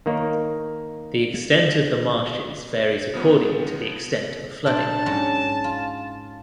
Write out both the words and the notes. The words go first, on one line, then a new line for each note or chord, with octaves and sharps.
The extent of the marshes varies according to the extent of flooding.
D#3 A#3 D#4 C#5
C#3 F3 B3
A#2 D4 A5
G#2 F#3 C#4
F4